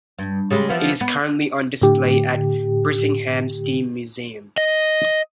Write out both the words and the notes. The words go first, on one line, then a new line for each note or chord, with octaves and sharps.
It is currently on display at Bressingham Steam Museum.
G2
C#3 G3 G#3
E3 F3 B3
B3
A2 D3 G4
D#5